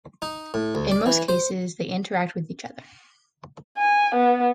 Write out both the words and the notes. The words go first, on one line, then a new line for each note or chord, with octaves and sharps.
In most cases they interact with each other.
D#4
A2
D2
D5
E3
C5
G#5
B3